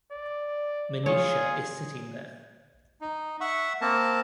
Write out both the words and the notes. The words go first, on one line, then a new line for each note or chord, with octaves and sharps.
Manisha is sitting there.
D5
F4 G#4 C#5
D#4
E5 F#5 C#6
A#3 C4 A#4 A5